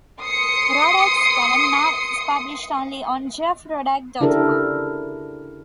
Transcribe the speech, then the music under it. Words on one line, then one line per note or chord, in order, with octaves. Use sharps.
Rodack's column now is published only on JeffRodack dot com.
C6 D#6 C7 C#7
C#3 D4 E4 G4 A4 A#4